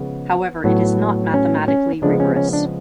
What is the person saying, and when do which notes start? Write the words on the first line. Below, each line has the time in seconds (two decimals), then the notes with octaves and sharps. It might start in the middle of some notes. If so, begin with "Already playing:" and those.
However, it is not mathematically rigorous.
Already playing: C#3 F3 G#3 B3
0.64 A2 F#3 B3
1.34 C#4
1.68 C#4
2.02 C#3 F3 G#3 B3 D4
2.20 C#4
2.36 C#4
2.53 D4